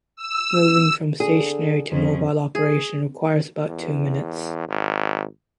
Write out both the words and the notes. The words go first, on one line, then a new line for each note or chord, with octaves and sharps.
Moving from stationary to mobile operation requires about two minutes.
E6
D3 G#4
F2 C#3
G#4
E2
G#1